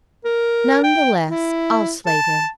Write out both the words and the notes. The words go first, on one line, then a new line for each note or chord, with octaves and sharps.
None the less I'll slate him.
A#4
G5
E4
A5